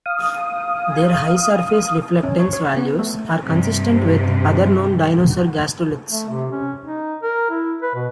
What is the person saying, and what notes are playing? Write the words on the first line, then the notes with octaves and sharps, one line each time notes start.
Their high surface reflectance values are consistent with other known dinosaur gastroliths.
F5 D#6
C#4
C#5
C#5
B3
A3
G2 C3
A3
C3
C#4
D#4
A#4
E4
B4
B2